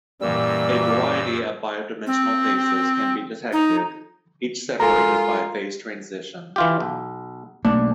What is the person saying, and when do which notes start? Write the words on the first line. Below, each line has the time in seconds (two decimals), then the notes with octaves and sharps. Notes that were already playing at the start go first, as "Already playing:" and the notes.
A variety of bidimensional phases can be detected, each separated by a phase transition.
0.21 F#2 A#2 E3 G3 A#3 E6
2.07 C4
3.53 D#4
4.80 G#3 F4 A4 A#4 G#5 A#5
6.56 E3 F4 G4
6.80 B1
7.65 B1 A3 A#3 D4